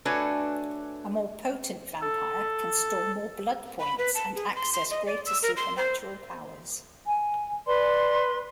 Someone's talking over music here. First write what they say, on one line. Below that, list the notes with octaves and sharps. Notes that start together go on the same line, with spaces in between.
A more Potent vampire can store more blood points and access greater supernatural powers.
A3 D4 F#4 B4 C#5 G#5
A4
B5
B4
A5
G#4
C6
C6
D#5
D5
E6
A#4
C6
C5
G#5
B4 D5 C6